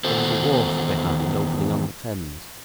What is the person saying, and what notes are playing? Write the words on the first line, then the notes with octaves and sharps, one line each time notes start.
There was a wharf behind, opening on the Thames.
E2 D#3 B3 F#4 A4 C5